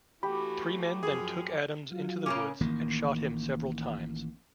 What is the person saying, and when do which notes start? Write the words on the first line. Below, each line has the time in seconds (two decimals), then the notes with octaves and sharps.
Three men then took Adams into the woods and shot him several times.
0.23 E3 A3 F#4 G4 B5
1.03 F#2 F3 G#4
1.91 F#3 F4
2.26 C#3 A#3 C#4 D6
2.61 A1 D#3 A#3